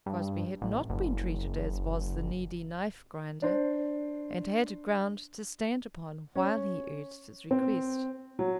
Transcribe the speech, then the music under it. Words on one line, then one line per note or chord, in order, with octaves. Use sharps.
Crosbie had not been treated as was the needy knife-grinder, and had ground to stand upon while he urged his request.
G2
A1
F#1
D4 C5
C#4
C4
F#3